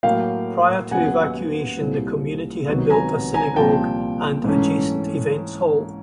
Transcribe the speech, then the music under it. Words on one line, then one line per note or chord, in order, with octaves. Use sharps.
Prior to evacuation the community had built a synagogue and adjacent events hall.
A2 F#3 A#3 F5 G5
D#2 C#3 F#3 B3 F#5 G#5
C2 A#2 G3 C4 E4
C#2 C3 D#3 F#3 B3
G#5 A#5
G#5 A#5
C2 A#2 F3 G5 A5
G#2 E3 A3 C#4